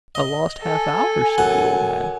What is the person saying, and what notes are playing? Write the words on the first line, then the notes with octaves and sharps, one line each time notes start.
"A lost half-hour?" said the old man.
D#5
A4 G#5
F#2 F#5